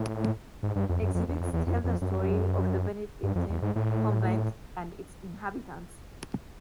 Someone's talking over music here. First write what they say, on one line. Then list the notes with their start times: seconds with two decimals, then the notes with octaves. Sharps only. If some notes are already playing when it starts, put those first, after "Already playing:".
Exhibits tell the story of the Benedictine convent and its inhabitants.
Already playing: A2
0.63 G#2
0.76 G2
0.89 F2
1.02 F#2
1.15 F2
1.28 E2
1.40 F2
1.53 E2
1.67 F2
1.84 F2
2.02 F#2
3.23 G2
3.35 F2
3.50 E2
3.62 G#2
3.76 A2